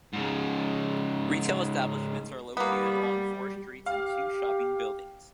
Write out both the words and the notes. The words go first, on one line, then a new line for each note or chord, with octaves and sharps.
Retail establishments are located along four streets and two shopping buildings.
G#2 C#3
G3 A#3 B3
G4 F5